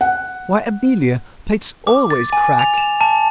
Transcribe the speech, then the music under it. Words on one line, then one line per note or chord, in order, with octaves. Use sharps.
"Why, Amelia, plaits always crack!"
F#5
D6
A6
G#5
F7
E7
A5